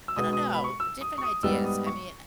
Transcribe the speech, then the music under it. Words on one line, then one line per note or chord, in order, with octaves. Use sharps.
I don't know, different ideas, I mean, eh
E6
B2 G#3 B3 D#6
D#6
B5
C#6
E6
D#6
C#6
D#6
G#2 G3 B3 E6
D#6
C#6